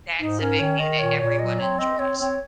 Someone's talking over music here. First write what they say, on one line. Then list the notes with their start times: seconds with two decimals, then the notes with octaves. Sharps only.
That's a big thing that everyone enjoys.
0.19 G#2 D#4
0.39 C#4 A#4
0.59 D#3 C#5
0.79 D#3 D#5
0.99 A#2 C#5
1.19 A#2 C#5
1.39 F#3 D#5
1.59 C4 C#5
1.79 C4 D#5
1.98 C4 C#5
2.19 C4 C#5